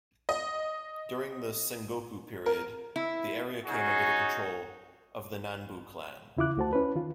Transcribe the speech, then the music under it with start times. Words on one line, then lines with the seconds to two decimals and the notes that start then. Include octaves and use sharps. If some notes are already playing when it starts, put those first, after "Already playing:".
During the Sengoku period, the area came under the control of the Nanbu clan.
0.29 D#5
2.46 A#4
2.96 E4
3.65 C#4 D#4 F#4 G#4
6.37 E2 C#3 E4 F4 D6 F#6
6.57 D2 A3 F#4 C5 A5
6.73 C#4 E4 B4
6.95 D#3 F4